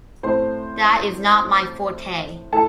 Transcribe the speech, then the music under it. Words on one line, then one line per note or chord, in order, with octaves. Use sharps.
That is not my forte.
A2 A3 C4 C5 C6
A2 A4 A5